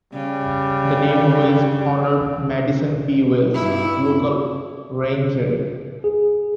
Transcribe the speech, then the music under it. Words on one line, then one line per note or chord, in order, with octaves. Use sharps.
The name Wells honored Madison P. Wells, local rancher.
C#3 G3
G2 E4
G#4